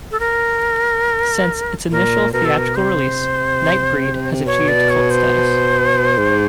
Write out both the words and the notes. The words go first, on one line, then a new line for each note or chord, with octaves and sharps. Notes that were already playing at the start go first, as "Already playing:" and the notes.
Since its initial theatrical release, "Nightbreed" has achieved cult status.
A4
A#4
A#2 A#4
B2 A#4
A4
A#4
C3 C5
B2 C#5
D5
C#5
C5
G#2